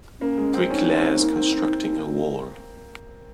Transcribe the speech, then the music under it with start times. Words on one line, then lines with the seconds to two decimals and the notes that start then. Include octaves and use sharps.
Brick layers constructing a wall.
0.21 A#3 C#4
0.38 G#3
0.54 C4
0.70 C#4 D#4
0.95 C4
1.19 A#3
1.36 C4
1.52 C4